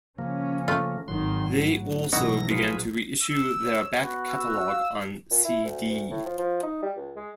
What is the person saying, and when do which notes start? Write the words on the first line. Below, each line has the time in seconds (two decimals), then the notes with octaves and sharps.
They also began to reissue their back catalogue on cd.
0.18 C#3 F3 A#3 C#4
0.68 A3 F4
1.08 G#1 D#3 F#3 C6
1.50 A2 F#3
2.12 A#1 B2 E3 F#3 D#4 E4 F#4 A#6
2.51 F4 G#4 B4
3.23 E6
3.64 C#5
3.98 B3 F#4
4.31 E6
4.67 F5
5.31 A#2
5.44 E4
5.65 D2
5.90 D2
6.10 A2
6.25 F3
6.39 F3
6.63 D#4
6.82 G3
6.97 C#2
7.16 G#3